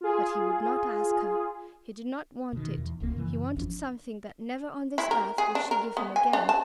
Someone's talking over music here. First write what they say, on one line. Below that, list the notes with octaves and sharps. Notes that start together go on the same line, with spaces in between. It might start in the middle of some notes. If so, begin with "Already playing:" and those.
But he would not ask her; he did not want it; he wanted something that never on this earth would she give him again.
F4 G#4
B2 D#3
E2
D1 C#2 C#3 A#3
F#2 C#3 E3
G1 E2 F3 D4
E4
A#4
G#4
D4
A#4
B3
G#5
D4
A5